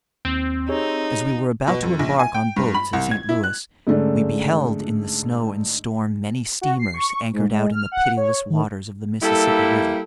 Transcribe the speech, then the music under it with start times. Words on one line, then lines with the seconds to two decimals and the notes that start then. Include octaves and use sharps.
As we were about to embark on boats at St. Louis we beheld in the snow and storm many steamers anchored out in the pitiless waters of the Mississippi River.
0.25 D#2 C4
0.69 D#4 G4 G#4 C#5
1.67 B2
1.83 F2
1.99 A#1
2.19 G#5
2.34 G5
2.56 G2
2.74 B5
2.93 C2
3.11 G#6
3.29 E4
3.44 F#6
3.87 G#2 D3 A3 C#4 D4
6.61 F#4
6.79 C7
6.94 C#6
7.33 G#2
7.52 G#3
7.72 F6
7.92 F#5
8.17 C#5
8.50 D#3
9.22 G3 A#3 E4 A4